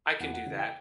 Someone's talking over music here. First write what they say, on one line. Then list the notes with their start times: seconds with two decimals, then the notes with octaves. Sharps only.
I can do that.
0.20 E2 F#5
0.34 F#5
0.46 C#3 E3
0.59 G5